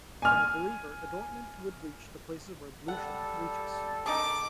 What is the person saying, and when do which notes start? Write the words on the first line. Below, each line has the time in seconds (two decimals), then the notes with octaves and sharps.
In a believer adornment would reach the places where ablution reaches.
0.22 G#5 F6
2.88 G3 A4 F#5
4.06 D#3 D#4 G#4 D6